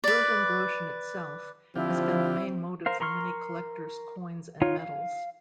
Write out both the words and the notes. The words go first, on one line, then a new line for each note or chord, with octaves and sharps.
Guldengroschen itself, has been the main motive for many collectors coins and medals.
B4 D5
D3 F3 C4 E4 F4 G4
A#4 C5 F5
A#4 A#5 C6 C#6 F6
D#4 F4 C#5
F5